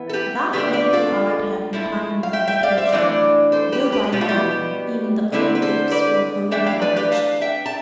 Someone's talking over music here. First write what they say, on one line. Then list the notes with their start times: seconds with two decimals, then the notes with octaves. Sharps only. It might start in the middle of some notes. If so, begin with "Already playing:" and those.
That lady eyed her companion with composure, though by now even the old lips were wholly blanched.
Already playing: E3 B3 E4
0.09 A4
0.13 G4 B4
0.53 D3 F3 A3 D4 G4 B4
0.73 B4 D5
0.93 F4 A4
1.73 F3 A3 E4
2.23 F5
2.33 E5 G5
2.47 E5 G5
2.63 D5 F5
2.77 C5 E5
2.92 E3 A3 D4 D5 F5
3.52 A4 C5
3.72 G4 B4
3.92 G4 B4
4.12 B2 G3 B3 G4
4.21 F4
4.28 E4 G4
5.32 D3 G3 C4 E4
5.55 B4
5.62 A4 C5
5.91 B4 D5
6.51 E3 A3 D4 E5 G5
6.66 F5 A5
6.82 B4 D5
6.96 G4 B4
7.12 F5 A5
7.41 E5 G5
7.66 A5